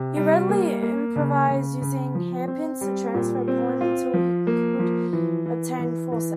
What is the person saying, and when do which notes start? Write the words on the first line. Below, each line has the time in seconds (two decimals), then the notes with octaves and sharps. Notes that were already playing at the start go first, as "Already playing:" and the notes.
He readily improvised using hairpins to transfer pollen until he could obtain forceps.
Already playing: C3
0.16 G3
0.49 A#3
0.82 A#3
1.16 C#3
1.48 C#3
1.81 C#3
2.15 F3
2.48 C4
2.81 G3
3.14 A#2
3.48 C4
3.81 F4
4.13 F3
4.47 A#3
4.79 F3
5.13 E3
5.46 E3
5.79 E3
6.12 E3